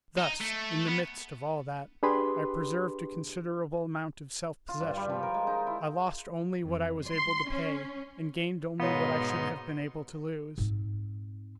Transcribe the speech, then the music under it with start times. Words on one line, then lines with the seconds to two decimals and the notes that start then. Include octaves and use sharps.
Thus, in the midst of all that, I preserved a considerable amount of self-possession; I lost only what I was able to pay, and gained only what I should have been able to lose.
0.18 D#4
0.41 A3
0.88 B3
2.03 D4 G4 G#4 B4 B5 C6
4.68 F4
4.80 G2
4.97 G3
5.10 F3
5.23 A#4
5.34 G#3
5.47 D#4
5.67 E4
6.63 F2
7.06 C6
7.50 C#4
8.80 G#2 B2 B3 D#4 C#5 F5 C6
10.58 G#2 C4